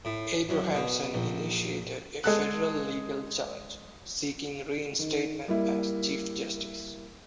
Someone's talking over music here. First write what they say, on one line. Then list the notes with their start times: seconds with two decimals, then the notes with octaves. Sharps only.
Abrahamson initiated a federal legal challenge seeking reinstatement as Chief Justice.
0.05 A2
0.49 F#2
0.75 B2
1.14 A#1
2.24 G#3 A4 F#6
4.99 D#3
5.48 G3 A#3 E4 E5